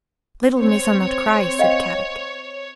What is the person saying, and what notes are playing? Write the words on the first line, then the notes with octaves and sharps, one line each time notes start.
"Little Missa not cry," said Kadok.
C4 C#5
D#5 F5 G5